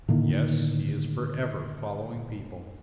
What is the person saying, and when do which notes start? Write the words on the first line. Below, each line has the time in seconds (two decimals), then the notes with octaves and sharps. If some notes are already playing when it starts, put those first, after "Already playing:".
Yes, he is forever following people.
0.08 A2 D3 D#3 A#3